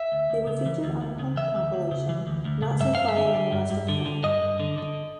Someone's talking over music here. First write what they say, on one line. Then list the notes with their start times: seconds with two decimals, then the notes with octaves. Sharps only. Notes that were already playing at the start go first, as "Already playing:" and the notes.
They were featured on a punk compilation Not So Quiet on the Western Front.
Already playing: E5
0.12 D2
0.30 D2
0.47 C#3
0.66 E3
0.84 D2
1.01 D2
1.19 C#3
1.37 E3 E5
1.55 D2
1.74 D2
1.91 C#3
2.09 E3
2.27 D2
2.45 D2
2.62 C#3
2.80 G2 E5
2.95 G2 F5
3.08 E5
3.17 D3
3.35 D3
3.52 G2
3.70 G2
3.89 D3
4.06 D3
4.24 G2 D#5
4.42 G2
4.60 D3
4.78 D3